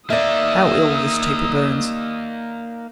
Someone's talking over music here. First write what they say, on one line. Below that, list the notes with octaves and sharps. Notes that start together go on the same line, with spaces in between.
How ill this taper burns!
A#3 D#4 D5 E5 D#6 E6